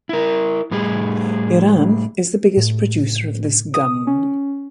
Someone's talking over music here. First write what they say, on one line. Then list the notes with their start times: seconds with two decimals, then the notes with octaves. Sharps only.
Iran is the biggest producer of this gum.
0.09 E4 A#4
0.71 A2 G3 G#4
2.57 A2
3.74 D#6
4.07 C#4